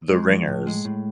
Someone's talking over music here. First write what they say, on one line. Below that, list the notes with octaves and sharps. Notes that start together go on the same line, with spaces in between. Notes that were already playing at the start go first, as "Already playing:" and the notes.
The ringers.
G#3
F3
A2
G#3
A2